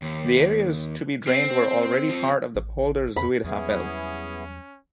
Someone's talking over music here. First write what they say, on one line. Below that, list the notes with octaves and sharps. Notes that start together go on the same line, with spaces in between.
The areas to be drained were already part of the polder Zuid Haffel.
D#2
C4
F3 C4
A1
F2 B5
E2 F#3 G3 B3 C#4 E4 G#4